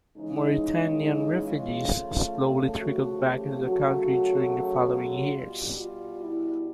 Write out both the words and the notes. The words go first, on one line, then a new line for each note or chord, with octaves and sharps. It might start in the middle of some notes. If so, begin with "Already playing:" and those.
Mauritanian refugees slowly trickled back into the country during the following years.
C#3 E3 G#3 D#4
F4
C#3 F3 A3
F#4
G4
C#3 F#3 A3 F#4
F4
B2 G3
F4
E4